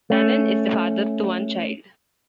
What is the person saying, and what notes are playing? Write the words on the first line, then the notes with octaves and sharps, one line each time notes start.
Danan is the father to one child.
A3 C#4